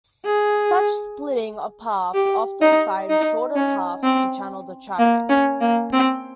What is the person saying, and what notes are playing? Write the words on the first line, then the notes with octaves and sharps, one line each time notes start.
Such splitting of paths often finds shorter paths to channel the traffic.
G#4
G4
D#4
D#4
C#4
C4
A#3
C#4
A#3
C4